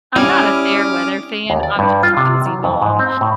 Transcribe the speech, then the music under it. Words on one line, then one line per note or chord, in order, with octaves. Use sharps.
I'm not a fair weather fan. I'm just a busy mom,
G3 C#4 E4 G#5 D6 D#6 F6
D#2
D5
G2
F4
C3
F#3
F2
G#2
C4
A2